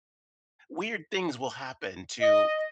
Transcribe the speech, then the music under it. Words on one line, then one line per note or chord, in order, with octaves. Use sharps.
weird things will happen to
D#5